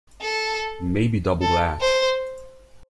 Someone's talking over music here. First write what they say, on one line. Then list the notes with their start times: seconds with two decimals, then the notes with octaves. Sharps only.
Maybe double that.
0.21 A4
1.41 A4
1.81 C5